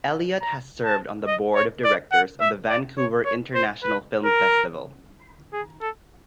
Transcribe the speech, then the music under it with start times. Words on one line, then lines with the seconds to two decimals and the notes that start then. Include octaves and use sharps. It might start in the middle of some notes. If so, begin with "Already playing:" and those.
Elliott has served on the board of directors of the Vancouver International Film Festival.
0.42 A#5
0.85 A5
1.27 D#5
1.55 C#5
1.84 D5
2.12 F#5
2.40 E5
2.69 D5
2.98 C#5
3.25 C#5
3.55 C5
3.83 B4
4.25 A#4
5.53 G#4
5.81 A4